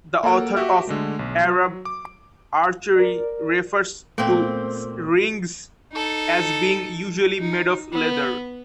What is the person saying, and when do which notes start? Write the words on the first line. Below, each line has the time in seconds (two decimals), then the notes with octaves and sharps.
The author of "Arab Archery" refers to rings as being usually made of leather.
0.23 A#3 A4 F#5 D7
0.56 F#4 G4 E5
0.87 D3 G#3 A3
1.19 B1
1.44 F#3
1.85 D6
2.96 A#4 D5
4.18 A#2 A3 B3 C4 F5 G5
5.92 D#4 A4
7.39 D#4
7.92 B3